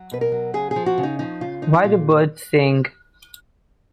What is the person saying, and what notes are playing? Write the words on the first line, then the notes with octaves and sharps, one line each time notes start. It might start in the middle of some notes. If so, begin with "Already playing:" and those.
Why Do Birds Sing?
Already playing: F#3
B2 B4
A#4
F#3
C#3 G#4
G#4
F3
F#4
C#3
D#4
F3 D#4
C#3 F4
F3 D#4
A#2 F4